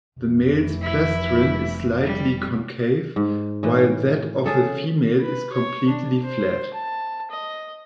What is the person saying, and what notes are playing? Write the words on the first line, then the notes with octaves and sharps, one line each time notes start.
The male's plastron is slightly concave, while that of the female is completely flat.
F1 E3
E4
G3
G#2
A2 E3
C#3 G#4 A4
B4
C#5
D4
C5
A5
D#5